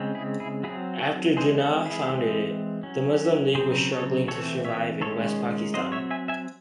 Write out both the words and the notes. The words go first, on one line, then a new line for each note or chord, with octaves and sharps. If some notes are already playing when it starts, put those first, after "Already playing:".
After Jinnah founded it, the Muslim League was struggling to survive in West-Pakistan.
Already playing: C#3 G#3 C4
E4 G#4
E4 G#4
F#3 C4 E4 G#4
F#4 A4
E3 G#3 C4 G#4 C5
F#4 A4
E4 G#4
E3 G#3 C4
F#3 C#4
C#3 F#3 C4 G#4 C5
A4 C#5
E3 A3 C4 A4 C#5
C#5 E5
D#3 G#3 C#4 A4 C#5
F#3 C4 C5 D#5
C#5 E5
E5 G#5
E5 G#5